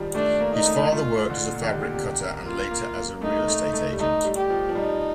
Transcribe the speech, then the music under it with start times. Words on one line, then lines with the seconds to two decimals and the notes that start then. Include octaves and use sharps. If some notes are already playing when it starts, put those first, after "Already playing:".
His father worked as a fabric cutter and later as a real estate agent.
Already playing: D#3 F3 G3
0.15 A3 D4
0.40 A#3
0.53 D#4
0.66 A3
0.92 A3 F4
1.30 D3
1.49 A#2
1.61 D#3
1.68 D3 G4
1.83 A#2
1.94 C3
2.20 A#3
2.45 A#3 F4
2.71 A#3
2.96 A#3
3.22 A3 D#4
3.48 A3
3.73 A3
3.93 G3
3.99 A3 D#4
4.25 G3
4.37 G4
4.50 F3
4.69 F3
4.75 G3 D#4